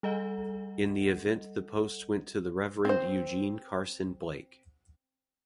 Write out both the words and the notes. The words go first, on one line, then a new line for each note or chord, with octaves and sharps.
In the event the post went to the Reverend Eugene Carson Blake.
G3 A4 D#5 F#5
C4 C5